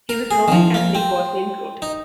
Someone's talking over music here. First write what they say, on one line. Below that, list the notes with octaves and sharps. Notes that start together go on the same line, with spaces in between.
He was a Roman Catholic Bosnian Croat.
A#4
G#4
D#3
F3
A#3
C4
D#4